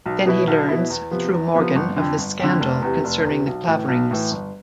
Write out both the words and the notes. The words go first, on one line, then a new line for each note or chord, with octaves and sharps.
Then he learns, through Morgan, of the scandal concerning the Claverings.
B1
B2 B3 E4
B1
B2 B3 E4
E2
C3 F3 B3
E2
C3 F3 B3
G1
F2 D3
G1
F2 D3
F1
E2 C3
F1
E2 C3
B1
A2 E3
B1
A2 E3
G1